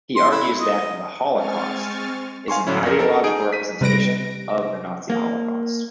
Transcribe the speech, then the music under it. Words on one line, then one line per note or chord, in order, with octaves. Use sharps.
He argues that "'The Holocaust' is an ideological representation of the Nazi holocaust".
C6
E4
D#5
G#3 C4 G#5 C#6 F6 A6
F5 G#5 C6 C#6
A2 D3 F#3 C#4 E4
F2 A#4
A4 A#4
D#4 G#4 D7
B6 D#7
C3 G3 B4 A#6 D7
A#3